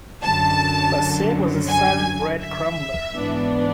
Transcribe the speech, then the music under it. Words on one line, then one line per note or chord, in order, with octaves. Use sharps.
Bassett was a silent bread crumbler.
F#2 D3 F#3 A5
G#5
E5
G#2 E3 B3 D4